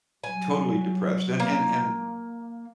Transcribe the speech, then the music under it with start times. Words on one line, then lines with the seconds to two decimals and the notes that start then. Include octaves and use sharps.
totally depressed, and and and
0.24 F#3 G3 G#5
1.40 A#3